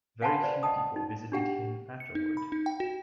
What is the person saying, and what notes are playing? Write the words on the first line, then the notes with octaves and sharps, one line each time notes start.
Very few people visited him afterward.
F5 F#5 G#5 A5 B5 C6
B4 C5 D5
D#5 F#5 G5 A5 D#6
D#4
D4 G4 F#5 G5
C#7
D#4
B5
D#4
G5
F#4